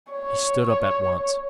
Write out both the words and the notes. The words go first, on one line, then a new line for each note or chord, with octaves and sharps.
He stood up at once.
C#5